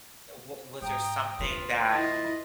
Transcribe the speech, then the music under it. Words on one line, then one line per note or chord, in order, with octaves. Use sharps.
th wa was there something that
G#2 G5 A#5 D#6
D2 D4 F4 B4
E4 D#5 A6